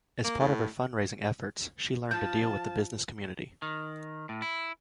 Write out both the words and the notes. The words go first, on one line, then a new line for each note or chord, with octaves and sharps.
As part of her fundraising efforts, she learned to deal with the business community.
A#3
A2
F3 A5 G6
D#3
A2
E4